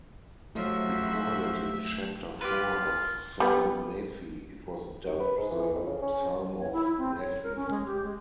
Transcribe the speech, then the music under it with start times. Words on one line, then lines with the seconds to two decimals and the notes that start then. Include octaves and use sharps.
Recorded in chapter four of Second Nephi, it was dubbed the "Psalm of Nephi".
0.55 C3 F3 F#3 A3 F#4 E5
2.41 F4 G4 B4
3.40 G3 B3
5.06 D#2
5.20 B4
5.37 G#2
5.51 E3
5.75 F2
5.87 C#3
6.02 C#4
6.59 C#5
6.73 E4
6.84 E4
6.98 C4
7.18 C#5
7.43 A#4
7.56 C#4
7.70 G#3
7.86 G4
8.03 G#3